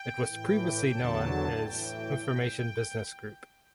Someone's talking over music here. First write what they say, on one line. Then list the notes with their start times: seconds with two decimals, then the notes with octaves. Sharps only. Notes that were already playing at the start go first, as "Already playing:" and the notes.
It was previously known as Information Business Group.
Already playing: G5
0.28 A2 E3
0.95 E2 D3 F#3 A5
1.60 A2 E3 G5